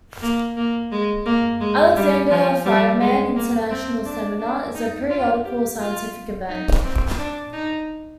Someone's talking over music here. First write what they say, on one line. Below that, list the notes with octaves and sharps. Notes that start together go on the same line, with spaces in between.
Alexander Friedmann International Seminar is a periodical scientific event.
A#3
A#3
G#3
A#3
G#3
G3
F3
G3
G#3
A#3
C4
D4
D4
D#4
F4
G4
F4
D#4
C4
D4
D#4